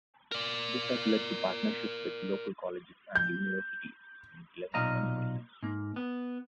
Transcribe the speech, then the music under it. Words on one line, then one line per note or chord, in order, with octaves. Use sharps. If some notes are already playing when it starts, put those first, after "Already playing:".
This has led to partnership with local colleges and universities in eleven countries.
A#4 D5
G6
B1 A#2 D#5 F5 A#5
G#2 A#3
B3